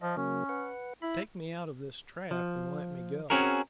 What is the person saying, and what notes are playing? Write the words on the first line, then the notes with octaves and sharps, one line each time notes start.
Take me out of this trap and let me go.
F3 D#5
C#3 F#3 A#3 C#4
B4 F#5
E4 B5
F3
C4 C#4 F#4 G#4 A#4